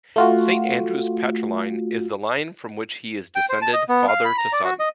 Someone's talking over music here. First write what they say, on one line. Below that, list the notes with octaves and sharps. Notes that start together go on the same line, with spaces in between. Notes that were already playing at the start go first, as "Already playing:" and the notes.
Saint Andrews's patriline is the line from which he is descended father to son.
A3 F4 F#4
G5
C5
A5
D#5
B3
F5
B5
A#5
D5
F#4
D#5